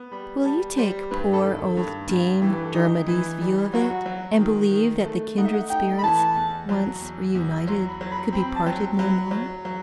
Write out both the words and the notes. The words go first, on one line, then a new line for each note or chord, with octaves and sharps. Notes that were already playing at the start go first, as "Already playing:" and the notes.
Will you take poor old Dame Dermody's view of it, and believe that the kindred spirits, once reunited, could be parted no more?
Already playing: B3
G3 B5
G3 A5
G3 C5
G2 B4
A4
D#3
A4
G2
G2
E3 G4
B4
A4
D#4 G4
E3 E4
G3
F#3 F#4
F#3
D#3
D#3
A3 A4
D#4 F#5
E5
F#5
D#4 G5
B5
E3 A5
E2
F#3
E2
E2
F#3 C6
B5
F#3
B5
C4 B5
A5
F#3 G5
F#3 B5
F#3
F#3